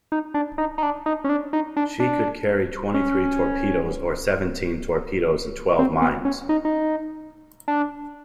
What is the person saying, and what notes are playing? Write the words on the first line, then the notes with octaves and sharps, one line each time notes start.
She could carry twenty-three torpedoes or seventeen torpedoes and twelve mines.
D#4
D4
D#4
D#4
D4
D#4
C#4
D4
D#4
D4
D4
C#4
C4
B3
C#4
D#4
D#4
D4